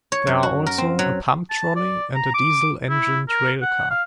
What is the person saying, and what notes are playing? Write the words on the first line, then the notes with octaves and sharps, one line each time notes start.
There are also a pump trolley and a diesel-engined railcar.
C#5
F#2
F#4
A#4
C4
F#3
A5
D5
A#5
D6
E4
A#4
F#5
F5